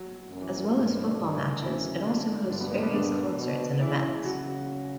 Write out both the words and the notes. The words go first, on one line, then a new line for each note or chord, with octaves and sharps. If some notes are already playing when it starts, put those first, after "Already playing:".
As well as football matches, it also hosts various concerts and events.
Already playing: F#3
F#2 F#3
E3
F#3
A#2 A#3
G2 F#3
A#2 A#3
B2 B3
D3 D4
G2
E3 E4
D3 D4
F#2 E3 E4
D3 D4
G2 D3 D4
B2 B3
A#2 A#3
B2 B3
G2 D3 D4
B2
C#3 E3 E4
C#3 F#3 F#4